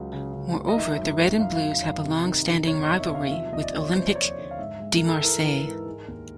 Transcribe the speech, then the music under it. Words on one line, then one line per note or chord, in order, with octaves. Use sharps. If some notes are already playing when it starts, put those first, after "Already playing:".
Moreover, the Red-and-Blues have a long-standing rivalry with Olympique de Marseille.
Already playing: C#2 C#3 F#3
C#3
C#3
C#2
D#5
D#3 E5
F#2
F#2
F#2 F5
F5
D#3
F#2
C3
D#3
D#3
E2 C#5
D#5
D#3
E5
C3 F5
F5
F3 E5
D#2 D#5
D5
D#2
C#5
F3 C5
D5
F3 C#5
D3
F5
G#2 E5
G#3
G#3 A#4
A4
E3 A#4
E3
G#2
G#3
D#2